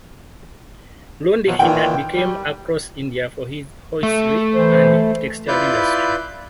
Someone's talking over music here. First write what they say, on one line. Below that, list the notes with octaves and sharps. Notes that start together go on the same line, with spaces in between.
Ludhiana became across India for its hosiery and textile industry.
B2 F3 F#3
A#2 D#3 E3 G5
G3
A3
E3 C5
E4 F4 B4 D5 G6